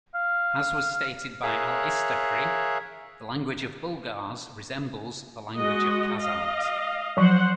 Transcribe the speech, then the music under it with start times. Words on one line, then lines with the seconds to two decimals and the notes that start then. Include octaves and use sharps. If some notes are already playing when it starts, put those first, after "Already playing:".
As was stated by Al-Istakhri "the language of Bulgars resembles the language of Khazars".
0.15 F5
1.43 G#4 A#4 C#5 E5 F5 F#6
5.56 G#3 F#4 D#5
6.18 D#5 F5
7.17 F3 F#3 C5 F#5